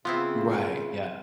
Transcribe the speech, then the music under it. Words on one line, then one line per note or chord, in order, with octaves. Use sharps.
Right, yeah.
C#3 B3 C4 E4 F4